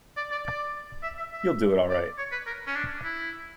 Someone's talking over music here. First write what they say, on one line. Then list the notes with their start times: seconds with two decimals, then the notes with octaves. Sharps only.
You'll do it all right.
0.17 D5
0.31 D5
0.46 D5
1.03 E5
1.18 E5
1.32 E5
1.90 D5
2.18 C#5
2.32 B4
2.47 A#4
2.67 C#4
2.75 D4
3.04 E4